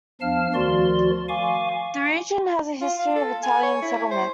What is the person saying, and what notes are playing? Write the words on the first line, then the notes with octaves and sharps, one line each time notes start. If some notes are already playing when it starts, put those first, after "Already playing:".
The region has a history of Italian settlement.
E2 F3 D4 F5 A5 F6
D2 D#3 F3 F#4 D5 C6
F5 G#5 C#6 D6
F4
F5
A4
G#5
C#5
E4
C5